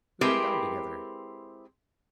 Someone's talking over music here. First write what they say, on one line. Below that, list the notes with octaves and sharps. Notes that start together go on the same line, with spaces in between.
We went down together.
G#3 C4 E4 G4 A#4 B4